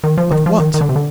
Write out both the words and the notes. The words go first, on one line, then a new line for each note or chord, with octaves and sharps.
But what?
D#3
F3
D#3
F3
D#3
D#3
D3
C3
D3